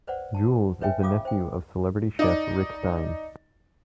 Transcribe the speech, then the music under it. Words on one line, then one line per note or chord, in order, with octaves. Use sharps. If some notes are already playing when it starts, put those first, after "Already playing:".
Jules is the nephew of celebrity chef Rick Stein.
B4 C5 D5 F#5
A5
B4 C#5 E5 G5 G#5
C#4 F4 F5 D6 D#6
C5 G5
D#4 D5